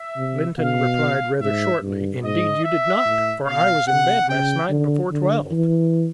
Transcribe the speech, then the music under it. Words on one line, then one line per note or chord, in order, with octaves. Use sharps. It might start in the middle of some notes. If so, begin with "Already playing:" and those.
Lynton replied rather shortly, "Indeed you did not, for I was in bed last night before twelve."
Already playing: E5
C3
B2 F5
G#2 E5
G2
G#2 D#5
E5
A2
B2 F5
C3 F#5
C#3 G5
D3
D3
E3